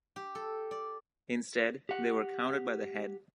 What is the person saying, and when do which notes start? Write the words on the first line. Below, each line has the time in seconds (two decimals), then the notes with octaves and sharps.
Instead, they were "counted by the head".
0.16 G4
0.35 A4
0.71 D5
1.89 G4 F#5